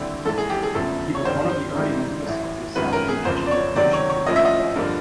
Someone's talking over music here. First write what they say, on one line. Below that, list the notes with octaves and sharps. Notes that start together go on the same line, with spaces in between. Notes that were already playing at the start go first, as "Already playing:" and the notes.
He was one of the early members of the Saudi National Commission for Wildlife.
Already playing: D#2 D3 G3 C4 E4
A#1 G#2 E3 A4
G#4
G4
G#4
E1 E2 C#3 F3 A3 A4
C#5
G1 G2 D#3 G3 C4 C5
C5
G#2 E3 G3 C4 D#4
A1 A2 E3
F#2 D#3 G#3 C#4 F4 B4
A#4
G#4
F1 E2 C#3 F3 A#3 C5
D5
C#5
C#2 C3 D#3 F#3 D5
C#5
C#5
A2 F3 A#3 C#4 F4 D#5
E5
D#5
G2 D3 F3 A#3